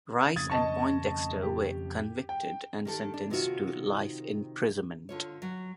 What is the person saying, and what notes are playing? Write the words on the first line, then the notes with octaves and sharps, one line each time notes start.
Rice and Poindexter were convicted and sentenced to life imprisonment.
F2 C#3 D#6 G#6 A6
D#5 A5 C#6
G4
G5
D#3 G4 A4
D4
C3 D#3 D#4 F4 F#4
D3 F4 C#5
F#3